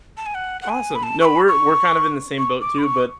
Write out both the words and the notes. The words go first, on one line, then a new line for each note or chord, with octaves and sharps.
Awesome. No, we're we're kind of in the same boat too, but
A5
G#5
F#5
F#5
G#5
B5
A5
C#6
B5
C#6
C#6
D6
B5
C#6